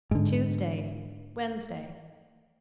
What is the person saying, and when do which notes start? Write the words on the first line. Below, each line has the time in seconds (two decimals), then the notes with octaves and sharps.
Tuesday, Wednesday.
0.11 G#2 D3